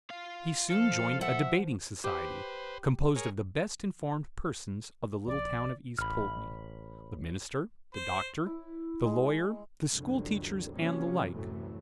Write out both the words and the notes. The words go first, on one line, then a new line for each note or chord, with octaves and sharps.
He soon joined a debating society, composed of the best-informed persons of the little town of East Poultney,--the minister, the doctor, the lawyer, the schoolteachers, and the like.
F4 F5
F3 A4 F5
E5 F#5
G4 B4 C5
G#4 A#4 C#5
A#1 D5
A1 B5 F6
C5
E4
G#3
C2 F2 D3 F#3
C3 F3 F#3 A#3 C#4
C2 F#2 A2 E3 F#3 A3